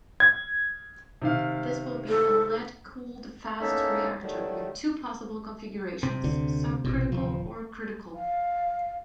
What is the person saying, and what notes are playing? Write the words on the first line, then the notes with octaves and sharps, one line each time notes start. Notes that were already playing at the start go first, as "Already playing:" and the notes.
This will be a 'Lead-cooled fast reactor' with two possible configurations: sub-critical or critical.
G#6
C3 D#3 F5
A4
E2 A#3 C#4 D#4 A4 E5
D#3 F#3 G3 A3
C3
D2 D3
A1 B2
D1 F3
F5